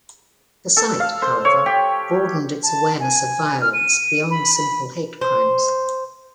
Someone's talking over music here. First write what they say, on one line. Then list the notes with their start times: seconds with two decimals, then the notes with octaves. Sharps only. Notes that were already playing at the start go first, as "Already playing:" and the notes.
The site, however, broadened its awareness of violence beyond simple hate crimes.
0.77 A4
1.00 F5
1.22 C5
1.45 C#5
1.66 G4
2.63 A5
3.00 G#5
3.61 F6
3.74 D#7
4.31 B5
4.55 B5
5.21 C5